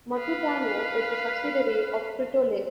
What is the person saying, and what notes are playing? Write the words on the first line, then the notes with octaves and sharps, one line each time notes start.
Matutano is a subsidiary of Frito-Lay.
B4 F5